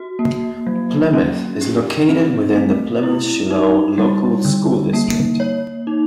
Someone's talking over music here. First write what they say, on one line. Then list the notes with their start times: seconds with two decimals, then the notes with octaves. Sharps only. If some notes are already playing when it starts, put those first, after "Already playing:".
Plymouth is located within the Plymouth-Shiloh Local School District.
Already playing: F#4
0.19 A#3
0.67 F#3
1.13 C#4
1.61 G4
2.09 C4
2.56 A3
3.03 E4
3.51 D#4
3.98 G3
4.45 D3
4.93 A#3
5.40 C#5
5.87 D#4